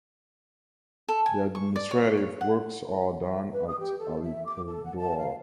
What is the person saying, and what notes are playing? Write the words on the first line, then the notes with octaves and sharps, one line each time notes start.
The administrative works are done at Alipurduar.
A4
G#5
C#6
D5
C#5
C#5
F#5
B4
D#6
G4
A4
E5
D6
A4
F#5
A5
F5